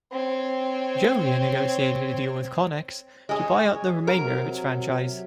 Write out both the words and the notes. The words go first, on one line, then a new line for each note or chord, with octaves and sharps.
Govia negotiated a deal with Connex to buy out the remainder of its franchise.
C4 C#5
G#3 G#4 C#5
C3 F#3 A#4